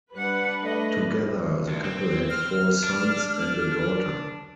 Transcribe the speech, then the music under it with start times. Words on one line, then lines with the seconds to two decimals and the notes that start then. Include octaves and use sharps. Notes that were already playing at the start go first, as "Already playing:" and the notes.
Together the couple had four sons and a daughter.
0.14 G3 D4 B4 F#5
0.63 A3 D#5
1.69 D2
1.84 C4
2.30 F6
2.83 D4